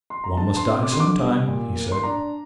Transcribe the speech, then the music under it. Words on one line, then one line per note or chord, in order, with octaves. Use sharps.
"One must die sometime," he said.
C6
A#5
D3 A5
C6
C4
D6
D3 C6
D6
G3
A#2
A#3
C6
D4 A#5